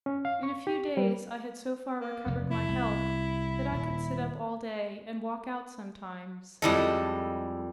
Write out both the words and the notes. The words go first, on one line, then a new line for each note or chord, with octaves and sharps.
In a few days I had so far recovered my health that I could sit up all day, and walk out sometimes.
C#4
F5
C#6
G4
G3
A#3
F1 E2
E4
C2
D#1
F2 G3 G#3 E4 A4 D#5